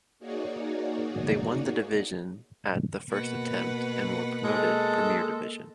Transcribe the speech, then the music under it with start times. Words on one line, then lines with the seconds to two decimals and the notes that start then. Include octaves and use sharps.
They won the division at the first attempt and were promoted Premier Division.
0.19 A#3 D#4 F#4 G#4 C#5 D5
3.10 B2 A#3 B4 F#5
4.44 G#3 A4